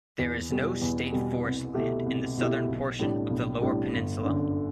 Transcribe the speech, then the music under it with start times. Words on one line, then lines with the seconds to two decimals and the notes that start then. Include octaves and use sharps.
There is no state forest land in the southern portion of the Lower Peninsula.
0.19 E2
0.51 B2 G3
0.82 E2
1.13 B2 G3
1.44 C2
1.75 B2 A3 E4 G4
2.06 C2
2.37 B2 A3 E4 G4
2.69 B1
2.99 A2 G3 D4
3.30 B1
3.61 A2 G3 D4
3.93 G1
4.24 F#2 D3